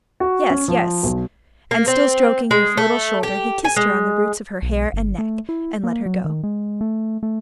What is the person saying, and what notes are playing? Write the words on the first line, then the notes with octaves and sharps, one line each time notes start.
"Yes, yes." And still stroking her little shoulder, he kissed her on the roots of her hair and neck, and let her go.
F#4
C#4
F3
B1
A#3
C4
G#3
A3
G4
G#5
G#3
B1
G1
A3
E4
A#3
F#3
D#3
G#3
A3
A3